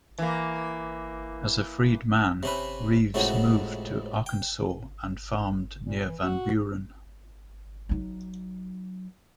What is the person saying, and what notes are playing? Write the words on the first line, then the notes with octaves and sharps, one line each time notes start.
As a freedman, Reeves moved to Arkansas and farmed near Van Buren.
E3 A#3
C3 C#4 B4
C#2 A2 C3 C#4 F#4
G5
A#2
E3
F#4
F#3 D#4